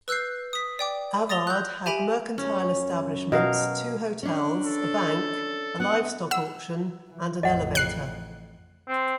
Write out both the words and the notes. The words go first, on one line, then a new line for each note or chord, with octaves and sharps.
Avard had mercantile establishments, two hotels, a bank, a livestock auction, and an elevator.
B4 E6 F#6 G6 C7
D#6 B6
D5 G5 D6
D#6 A6 A#6 F7 G7
F#6 G6
G4 E5 G#5 B5 D7 F7
F#2 C#4
B2 A#4 F5
C#4 D4
A4
B3 F#5
F#5 E6
E3
A1 F2 D#5 F#5
F#6 C7
C4